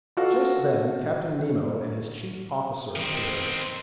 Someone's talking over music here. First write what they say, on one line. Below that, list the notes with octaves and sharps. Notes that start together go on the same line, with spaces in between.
Just then Captain Nemo and his chief officer appeared.
F4 F#4 A4 F5
D#3 C4